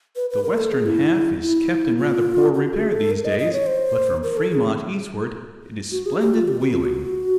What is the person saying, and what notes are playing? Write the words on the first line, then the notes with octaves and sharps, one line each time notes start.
The western half is kept in rather poor repair these days; but from Fremont eastward it is splendid wheeling.
B4
B4
A#4
A4
G#4
E4
E4
F4
F#4
G#4
A4
A#4
D#5
D#5
C#5
C5
A#4
A4
G#4
F#4
G#4
G4
F4
G4
F#4
F4
F#4